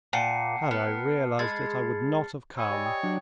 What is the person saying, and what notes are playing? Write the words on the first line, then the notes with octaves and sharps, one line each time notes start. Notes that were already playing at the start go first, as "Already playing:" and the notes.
"Had I realised it, I would not have come."
A#2 F#5 G5 A5 A#5 C7 C#7
B3 F6
G#3 B5 G#6 A6
C#5 G#5 B5 E6
G4 D5 D#5 G5
G5 D#6
F#3 D4